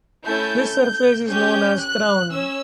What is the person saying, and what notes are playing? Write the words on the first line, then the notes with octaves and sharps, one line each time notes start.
This surface is known as "crown".
A3 C#4 E4 A4 G6
C#4 G4 G6
F#6
C#4 E6